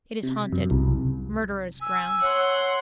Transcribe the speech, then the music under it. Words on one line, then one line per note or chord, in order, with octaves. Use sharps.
It is haunted. Murderer's ground.
C3
F#2
C2
G#5 E6
C#5 F#5 C6